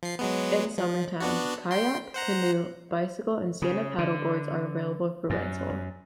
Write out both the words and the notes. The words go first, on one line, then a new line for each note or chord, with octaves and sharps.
In summertime, kayak, canoe, bicycle, and stand up paddle boards are available for rental.
F3 C7
F#3 G#3 B3
F3
B3 D4 F#4
G5 C6
C5 F#5 A#5
C#3
D3
F#2